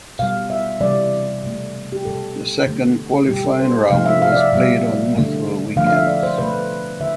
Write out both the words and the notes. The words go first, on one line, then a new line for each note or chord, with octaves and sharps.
The second qualifying round was played on multiple weekends.
B2 G3 F5
E5
C3 E3 G3 D5
B2 A3
G4
B2 G3 A4
D3 A3
B2 G3 G4
A4
C5
C3 F3 A3 F5
E5
F5
D5
E5
B2 G3 E5
D3 A3
D3 F3 A3 F5
F5
E5
D5
C5
B2 A3 B4
D3 E5